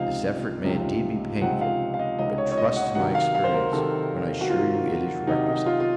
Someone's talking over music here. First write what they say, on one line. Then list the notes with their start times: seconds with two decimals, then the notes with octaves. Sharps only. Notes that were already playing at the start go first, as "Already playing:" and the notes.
This effort may indeed be painful; but trust to my experience, when I assure you it is requisite.
Already playing: C#2 C3 F3 C4 D#4 F5
0.64 C#2 C3 F3 C4 D#4
1.41 C#2 C3 F3 C4 D#4 F#5
1.61 F5
1.94 F5
1.99 D#5
2.19 C#2 C3 F3 C4 D#4 D#5
2.38 C#5
2.51 C#5
2.58 D#5
2.76 F#5
2.95 C3 D#3 F#3 F#5
3.15 F5
3.35 F5
3.44 C5
3.54 A#4
3.73 C3 D#3 F#3 A4
4.41 F#4
4.50 C3 D#3 F#3 F4
5.27 C3 D#3 F#3 D#4
5.47 D#4
5.66 F4
5.80 F4